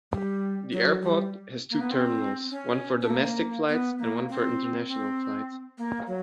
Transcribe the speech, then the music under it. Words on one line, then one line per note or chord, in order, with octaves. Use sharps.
The airport has two terminals, one for Domestic Flights and one for International Flights.
G3
F#3
G3
A#3
B3
C4
C#4
A3
A#3
A#3
B3
A#3
C4
C4
A#3
F#3